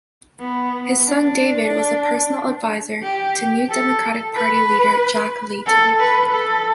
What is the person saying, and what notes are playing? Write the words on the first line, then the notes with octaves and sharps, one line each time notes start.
His son David was a personal advisor to New Democratic Party leader, Jack Layton.
B3
D4
G4
A4
B4
A4
B4
A4